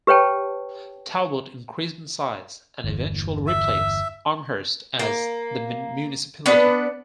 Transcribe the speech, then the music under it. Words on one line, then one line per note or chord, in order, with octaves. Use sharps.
Talbot increased in size and eventually replaced Amherst as the municipality.
G4 B4 C#5 G5 A5
G1 E2
E5
A#3
B3 D4 B4 F#5